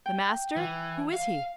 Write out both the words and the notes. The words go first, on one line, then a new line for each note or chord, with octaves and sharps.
"The master?--who is he?"
G5
E3
F5